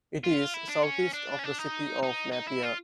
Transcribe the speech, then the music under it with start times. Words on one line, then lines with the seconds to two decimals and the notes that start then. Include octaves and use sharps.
It is south-east of the city of Napier.
0.24 F4
0.54 E4
0.69 D4
0.83 C#4
1.13 D4
1.39 C#4
1.43 D4
1.58 D#4
2.03 D#4
2.32 D#4
2.47 E4
2.63 F4